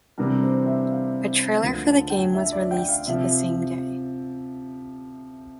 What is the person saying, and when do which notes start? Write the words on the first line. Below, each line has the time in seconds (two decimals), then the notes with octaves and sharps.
A trailer for the game was released the same day.
0.18 C3 E3 G3 D4 A#4
0.42 C5
0.66 E5
0.90 F5
1.62 D2 D3 F3 A#3
1.86 A5
2.10 G5
2.34 E5
2.52 D5
2.71 G5
2.89 F5
3.07 C3 F3 E5